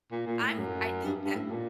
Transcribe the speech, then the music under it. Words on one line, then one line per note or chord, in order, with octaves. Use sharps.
I'm I think that,
A#2
A#2
A2
F#2
G2
G2
A2
A#2